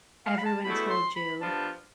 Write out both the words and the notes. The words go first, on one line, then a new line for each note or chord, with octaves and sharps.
everyone told you,
F5
B5
A5
E2 B2 A3 E4 B5
C6
B5
G2 F3 B3 D4 F4 A5